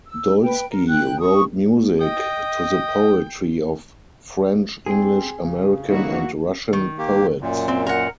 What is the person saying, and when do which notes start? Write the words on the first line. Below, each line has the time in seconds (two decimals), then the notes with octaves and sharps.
Dolsky wrote music to the poetry of French, English, American, and Russian poets.
0.06 E6
0.43 B4 G5
0.69 A#4
0.87 G5 F#6
1.20 C#6 D#6
2.01 D#5 G5 D#6
4.86 C4 G#4
5.39 C#3
5.89 D#3 A#3 C#4 D#4 E4 F#4
6.73 D#3
6.98 A#3 G4
7.41 F#2 A#2
7.68 C4
7.87 A#4 F#5